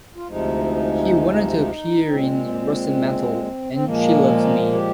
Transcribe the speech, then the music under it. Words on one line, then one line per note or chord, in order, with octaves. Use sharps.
He went on to appear in "Russet Mantle" and "She Loves Me".
F4
D2 C3 F3 G#3 D#4
A#2 G#3 C4
C4
A#2 F3 G#3 A#3
G4